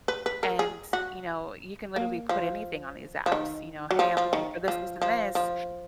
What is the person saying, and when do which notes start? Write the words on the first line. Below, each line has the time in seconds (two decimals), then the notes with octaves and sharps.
And, you know, you can literally put anything on these apps, you know, "Hey, I'm looking for this, this, and this,"
0.08 B4
0.26 B4
0.43 A#4
0.59 G#4
0.93 F#4
1.96 A#3
2.29 F3
3.26 F3
3.32 D#3
3.91 F#3
3.99 F3
4.17 F3
4.33 D#3
4.68 F3
5.02 F3
5.35 F3